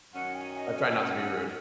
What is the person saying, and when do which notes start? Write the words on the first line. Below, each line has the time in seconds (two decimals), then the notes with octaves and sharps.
I try not to be rude.
0.13 F#2 D#3 F#3 C#4 F#5
0.34 G#5
0.56 D#5
0.78 D#5
1.00 F#5
1.36 G#5
1.43 F#5